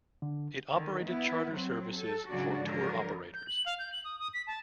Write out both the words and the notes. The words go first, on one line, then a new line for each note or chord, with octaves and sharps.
It operated charter services for tour operators.
D3
D3 D#3
B3 E4
F#3 C4
A4
G#2 C#3 F#3 D4 F#4 D5
D3 F3 F#3 A#4
G6
F#7
F5
G6
F#7
D#6
D#6
B6
A5